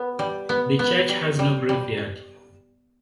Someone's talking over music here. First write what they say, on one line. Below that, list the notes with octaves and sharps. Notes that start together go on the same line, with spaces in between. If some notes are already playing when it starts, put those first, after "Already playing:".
The church has no graveyard.
Already playing: B3
G3
B3
B3
G3
G3
G3